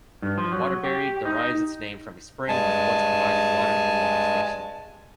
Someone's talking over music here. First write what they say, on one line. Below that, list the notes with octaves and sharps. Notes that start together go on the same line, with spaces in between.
Waterbury derives its name from a spring which once provided water for water station.
G2
F3
F#3
G4
D#4
G2 G#3 G#5 A5